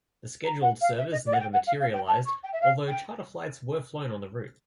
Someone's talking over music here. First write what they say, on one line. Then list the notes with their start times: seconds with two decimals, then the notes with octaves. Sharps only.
The scheduled service never materialized, although charter flights were flown on the route.
0.44 A#5
0.61 F#5
0.81 F5
0.98 E5
1.11 D#5
1.26 D5
1.33 F#5
1.39 G5
1.53 F#5
1.67 F5
1.80 F5
1.93 G5
2.07 A5
2.25 C#6
2.43 G5
2.52 E5
2.61 F5
2.87 G5